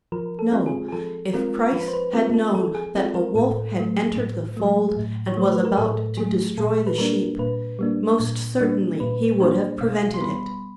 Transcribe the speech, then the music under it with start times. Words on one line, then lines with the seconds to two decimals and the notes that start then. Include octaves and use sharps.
No, if Christ had known that a wolf had entered the fold and was about to destroy the sheep, most certainly He would have prevented it.
0.12 F3 A#4
0.39 A4
0.52 G#3 C4 F4
0.66 G#4
0.89 G#4
0.92 F3 A4
1.33 G#3 C4 F4 A#4
1.73 F3 B4
1.88 C5
1.93 B4
2.13 G#3 C4 F4 A#4
2.34 A4
2.55 F3 A4
2.75 G#4
2.95 G#3 C4 F4 A4
3.15 A#4
3.35 A2 A4
3.75 F#3 A3
4.16 A2
4.57 F#3 A3
4.96 A2
5.27 C#5
5.37 F#3 A3 C5
5.52 B4
5.65 A#4
5.77 A2 A4
6.17 F#3 A3 G#4
6.57 A#2 A4
6.87 B4
6.98 G3 A#3 D4 A#4
7.39 A#2 B4
7.79 G3 A#3 D4
8.20 A#2
8.60 G3 A#3 D4
9.00 A#2 B4
9.40 G3 A#3 D4 C5
9.81 B2 F5
10.14 C6
10.21 G3 B3 B5